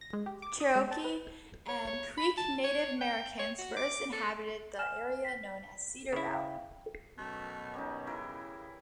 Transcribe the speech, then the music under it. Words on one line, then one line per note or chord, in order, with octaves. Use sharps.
Cherokee and Creek Native Americans first inhabited the area known as Cedar Valley.
A#6
G#3
G4
D6
D#6
G#3
A5
B4
C#5
C#5
B5
A5
C#5
G5
C#5
F#4
D6
A4
G#5 F6 E7
B6
C#3 E4
F5 G5
F#2 B2 A3
G3 C#4 D#4
C#3 E3 E4 A#4